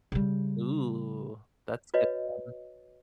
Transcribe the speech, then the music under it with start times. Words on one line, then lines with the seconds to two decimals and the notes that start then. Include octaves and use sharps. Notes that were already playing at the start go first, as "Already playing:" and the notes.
Ooh, that's good one.
0.12 C#3 G3
1.94 F#4 B4 C#5 D#5